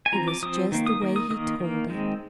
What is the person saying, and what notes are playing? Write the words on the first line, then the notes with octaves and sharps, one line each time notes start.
It was just the way he told it.
G#5
F3 C4 A#5
D6
F3 C4 D#6
D#3 A#3
D#6
D#3 A#3
D#6
D#3 A#3 D#6
D#3 A#3
D#3 G#3 C4